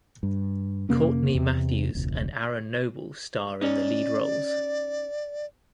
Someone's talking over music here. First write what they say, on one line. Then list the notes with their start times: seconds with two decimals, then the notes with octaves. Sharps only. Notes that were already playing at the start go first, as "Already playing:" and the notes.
Courtney Mathews and Aaron Noble star in the lead roles.
0.23 G2
0.89 F2 C3 A#3 C#4
1.34 E2 C3
1.95 E1 C#2
3.61 C#4 D#4 D5